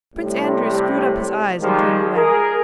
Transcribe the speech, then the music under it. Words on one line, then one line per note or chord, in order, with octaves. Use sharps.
Prince Andrew screwed up his eyes and turned away.
A2 C3 G3
D#3 F3 G3 G#3
G#4 A#4